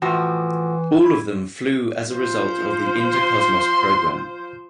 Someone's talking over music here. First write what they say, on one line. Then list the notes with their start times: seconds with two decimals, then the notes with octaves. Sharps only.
All of them flew as a result of the Intercosmos program.
0.02 A2 E3 F3 F#4
1.04 E4
2.12 F3 C5
3.12 C6